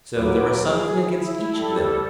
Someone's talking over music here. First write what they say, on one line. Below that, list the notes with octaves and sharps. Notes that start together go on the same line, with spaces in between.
So there was something against each of them.
D#2 F#3 B4 D6
G#4
E4
G3 A4